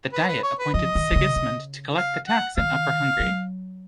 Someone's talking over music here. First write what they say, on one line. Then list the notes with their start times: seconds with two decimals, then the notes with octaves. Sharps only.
The Diet appointed Sigismund to collect the tax in Upper Hungary.
0.13 B4
0.28 B4
0.43 C#5
0.59 B4
0.74 F3 D#5
0.95 D#3
1.12 D#3
1.16 C#3
1.36 C#3
1.97 F5
2.28 F#5
2.57 D#3 F5
3.20 F#3